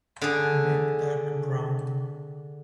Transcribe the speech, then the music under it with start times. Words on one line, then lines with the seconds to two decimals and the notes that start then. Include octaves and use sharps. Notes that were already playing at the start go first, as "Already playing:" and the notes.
Neck dark brown.
0.21 D3 G#4